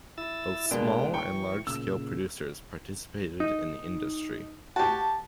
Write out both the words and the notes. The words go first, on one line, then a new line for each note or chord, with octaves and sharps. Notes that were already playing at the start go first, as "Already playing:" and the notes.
Both small- and large-scale producers participated in the industry.
E4 E6 A6
B2 G#3 A#3 D4 G5
E3 G5 C#6
A#2 C#3 E6
D#4
F#4 G4 A5